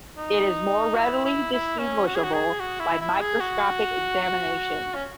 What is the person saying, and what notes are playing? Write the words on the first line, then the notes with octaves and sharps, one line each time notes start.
It is more readily distinguishable by microscopic examination.
D#4
F#4
E4
E4
E4
C#4
F#4
G#4
F#4
G#4
F#4
E4
E4
G#4
F#4
C#4